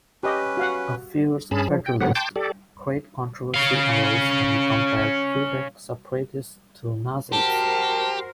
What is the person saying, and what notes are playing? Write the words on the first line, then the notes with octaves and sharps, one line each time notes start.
A fierce federalist, great controversy arose when he compared Quebec separatists to Nazis.
C#4 G4 B4 D#5
F#4 F5 F#5
G2 C#4 G#4 A5 B5
F3
G5
G#2 D3 F#3 B3 G4 F#5
G5 A5 C6 D6 G6
G4 A4 D5
C#4 F5
F#4 G4 A#4 C5 A5